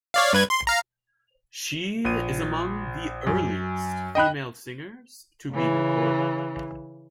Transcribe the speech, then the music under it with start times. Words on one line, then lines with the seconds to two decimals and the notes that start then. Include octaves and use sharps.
She is among the earliest female singers to be recorded.
0.14 C#5 D5 F5
0.33 G2 B4 G#6
0.50 C6
0.67 F5 A#5
2.05 A#1 D#7
3.27 F#2
4.15 D#5 G5 B5 F#6
5.51 C#3 E3